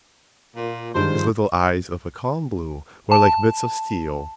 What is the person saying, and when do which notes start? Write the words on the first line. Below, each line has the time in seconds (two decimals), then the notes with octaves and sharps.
His little eyes, of a calm blue, were like bits of steel.
0.55 A#2
0.95 G2 D#3 F3 G#3 C5
3.12 A5